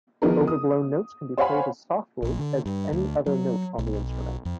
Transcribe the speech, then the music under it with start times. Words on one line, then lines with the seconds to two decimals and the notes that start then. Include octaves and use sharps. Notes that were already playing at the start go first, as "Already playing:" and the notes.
Overblown notes can be played as softly as any other note on the instrument.
0.22 D#3 F3 B3 E4 G#4 A#4
0.47 D#6
1.38 C5 C#5 F5 F#5 G#5 B5
2.23 A#1
2.39 D3
2.66 G2
2.92 D2
3.27 F#3
3.78 B1
4.45 F2